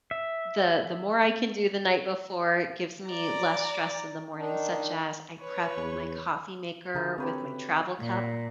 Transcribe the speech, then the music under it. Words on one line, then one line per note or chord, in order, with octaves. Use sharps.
the the more I can do the night before, it gives me less stress in the morning, such as, I prep my coffee maker with my travel cup,
E5
D5 A#5
D#3 D4 D#4
B4 C#5
E2
D3 F#4 G#4 A#4 E5
C4 G4 B4 C#5
A#2